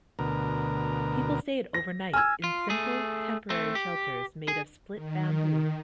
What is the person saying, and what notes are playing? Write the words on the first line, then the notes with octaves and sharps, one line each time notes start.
People stayed overnight in simple, temporary shelters made of split bamboo.
D2 B2 A#4
A#6
G#5 E6 F6 G#6
F4
A3 G#4
A3 C4
G4
G#4
D#3